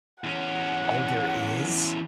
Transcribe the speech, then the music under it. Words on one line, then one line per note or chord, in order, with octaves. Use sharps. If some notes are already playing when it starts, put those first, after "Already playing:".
Oh, there is?
E2 C#4 F#5